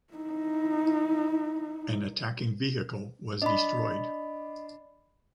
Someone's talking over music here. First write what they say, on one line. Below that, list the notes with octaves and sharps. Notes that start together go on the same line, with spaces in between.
An attacking vehicle was destroyed.
D#4 E4
D4 D#5 B5